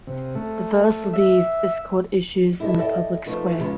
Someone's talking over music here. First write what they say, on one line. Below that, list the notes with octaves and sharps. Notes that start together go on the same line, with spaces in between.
The first of these is called Issues in the Public Square.
C3
A3
E5
E4 G4 A4 C5 D#5
A4 D5 D#5 G5
F3 A3 D#4 B4 C5
C#3 F3 G3 G#3 B3 C#4